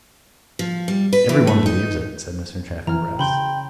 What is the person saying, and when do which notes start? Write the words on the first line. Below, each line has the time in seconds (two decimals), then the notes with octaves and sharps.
"Every one believes it," said Mr. Chaffanbrass.
0.59 F3
0.88 G3
1.13 B4
1.29 E3
1.47 A3
1.66 D#4
2.87 E3 A#5 F6
3.19 C#3 G5 B5 C6 G6